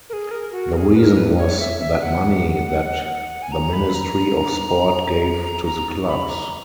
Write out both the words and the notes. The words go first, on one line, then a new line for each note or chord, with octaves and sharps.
The reason was that money that the Ministry of Sport gave to the clubs.
A#4
G#4
A#4
F#4
A#4
G#4
B4
A#4
B4
C#5
E5
E5
F#5
G#5
A#5
B5
A#5
A#5
A#5
B5
A#5